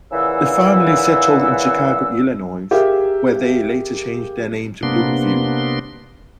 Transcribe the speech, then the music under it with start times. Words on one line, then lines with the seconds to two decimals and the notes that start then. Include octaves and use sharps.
The family settled in Chicago, Illinois where they later changed their name to Bloomfield.
0.12 A#2 C#3 E3 F#5 E6
2.71 G4 G#4 A#4 E5 F5
4.83 C3 A#3 B3 D4 C6